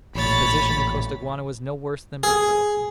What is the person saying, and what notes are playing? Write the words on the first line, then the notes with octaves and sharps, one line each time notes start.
His position in Costaguana was no worse than before.
A1 A#2 C#5 B5 A6
G#4